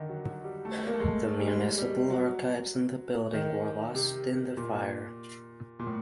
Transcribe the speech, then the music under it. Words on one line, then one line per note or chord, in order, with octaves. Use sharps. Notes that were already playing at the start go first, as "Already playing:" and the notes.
The municipal archives in the building were lost in the fire.
Already playing: D3 D#3
F#3
F#3
G3
A3
A#3
A3
G#3
A3
G3
G#3
G3
F#3
D#3
C3
A#2
A#2
A2